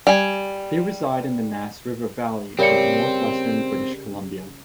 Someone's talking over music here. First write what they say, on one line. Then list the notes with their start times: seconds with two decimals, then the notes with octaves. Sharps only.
They reside in the Nass River valley of northwestern British Columbia.
0.07 G3 G#5
2.59 C#3 G3 C4 G4 A#4 D5 C#7